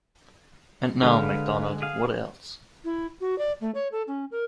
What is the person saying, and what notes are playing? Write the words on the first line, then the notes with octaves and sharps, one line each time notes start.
And now, Mcdonald, what else?
D3 G#3 B4 F5
G#4 F5
E4
F#4
D5
A3
C#5
A4
C#4
A#4